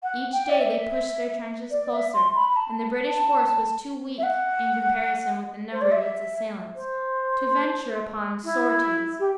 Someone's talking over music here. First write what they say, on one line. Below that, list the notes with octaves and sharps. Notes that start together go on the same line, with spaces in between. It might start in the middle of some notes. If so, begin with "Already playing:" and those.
Each day they pushed their trenches closer, and the British force was too weak, in comparison with the number of its assailants, to venture upon sorties.
F#5
G5
D5
E5
D5
E5
C6
B5
B5
A5
E5
F#5
C5
D5
E5
C5
E4
G4